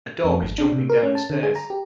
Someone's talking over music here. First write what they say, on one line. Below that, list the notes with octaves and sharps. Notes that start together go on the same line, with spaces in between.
A dog is jumping down the stairs.
F2
G#1
D4
C3
A#4
C#4
A5
D3
G#4
A#5
G4